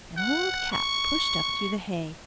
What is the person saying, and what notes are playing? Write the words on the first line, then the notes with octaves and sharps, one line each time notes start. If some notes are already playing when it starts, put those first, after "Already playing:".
An old cap pushed up through the hay.
F#5
C#6